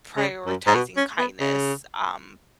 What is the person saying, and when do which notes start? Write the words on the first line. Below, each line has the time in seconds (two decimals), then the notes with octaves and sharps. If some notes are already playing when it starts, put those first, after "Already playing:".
prioritizing kindness, um,
0.17 C#3
0.46 F#2
0.67 G#2
0.75 B2
0.97 C#4
1.19 B3
1.40 C#3